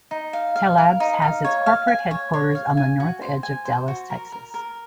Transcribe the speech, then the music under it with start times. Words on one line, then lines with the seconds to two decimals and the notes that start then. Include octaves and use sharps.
Tellabs has its corporate headquarters on the north edge of Dallas, Texas.
0.11 D#4
0.33 F5
0.56 F5
0.78 A#4
1.00 D#4
1.22 F5
1.45 C#5
1.66 F5
1.88 G#5
2.11 C#5
2.34 C#5
2.55 F5
2.77 G#5
3.00 F#4
3.22 C5
3.43 G#5
3.65 C5
3.88 F#4
4.10 A#4
4.32 A#4
4.54 A#4